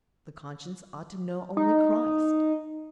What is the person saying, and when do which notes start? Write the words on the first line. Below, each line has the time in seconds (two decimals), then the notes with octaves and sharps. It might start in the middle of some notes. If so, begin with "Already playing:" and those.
The conscience ought to know only Christ.
1.57 D#4